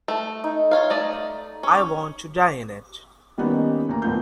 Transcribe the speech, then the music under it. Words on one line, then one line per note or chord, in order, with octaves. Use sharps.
I want to die in it.
A3
D#4
F4 C#5 F5
A3 D5 D#5
C#4 C#6
D#3 G3 A#3 B3 C#4 D#4
D2 A#3 A#5
D#1 A2 B3 F4 G6